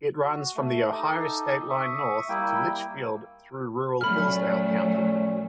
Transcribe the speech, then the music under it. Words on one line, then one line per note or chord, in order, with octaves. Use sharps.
It runs from the Ohio state line north to Litchfield through rural Hillsdale County.
F#4
A3
D#4 G4 A4 D#5
E5 C#6 D#6
G3 A#3 E4 G5
A#2 F#3 A3 C#4 B5 F6